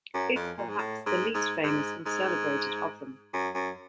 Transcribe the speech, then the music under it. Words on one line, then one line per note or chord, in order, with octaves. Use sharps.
It is perhaps the least famous and celebrated of them.
F#2
F2
A#2
G#2
A2
G#2
G#2
G#2
G#2
F#2
F#2